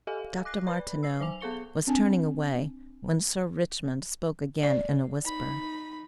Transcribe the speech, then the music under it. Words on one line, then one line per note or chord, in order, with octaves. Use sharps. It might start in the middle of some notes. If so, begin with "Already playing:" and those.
Dr. Martineau was turning away when Sir Richmond spoke again in a whisper.
G4 A4 D#5 F5 G#5
D6 F#6 A#6 C7
B4 D5 B5
E6 C7
F#3 C5 G#5 D6 F7
B3 G#4 A4 C#6 C#7 G7
C4 D4 G#5 A5
D5
D#4 B5